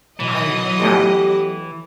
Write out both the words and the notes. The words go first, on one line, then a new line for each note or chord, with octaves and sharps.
I have,
B2 E3 F#3 D#5
A3 B3 G4